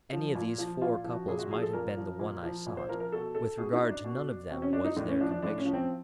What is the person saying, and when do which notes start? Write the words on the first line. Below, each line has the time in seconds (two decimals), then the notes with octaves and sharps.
Any of these four couples might have been the one I sought; with regard to none of them was there conviction.
0.13 F3
0.35 A#2
0.58 F3
0.81 A#2 F4
1.04 F3
1.12 F#4
1.28 A#2 G#4
1.39 F#4
1.51 F3 G#4
1.62 A4
1.73 A#2 A#4
1.97 F3
2.19 A#2
2.43 F3
2.66 A#2
2.77 C5
2.89 F3 A#4
3.00 A#4
3.12 B2 A4
3.35 A4
3.58 B2 G#4
3.73 D#4
3.89 D4
4.04 B2
4.50 B2 C4
4.62 C#4
4.73 D4
4.85 D#4
4.96 A2 D4
5.08 C#4
5.20 F3 D4
5.31 D4
5.42 A2 D4
5.58 C#4
5.65 F3
5.74 C4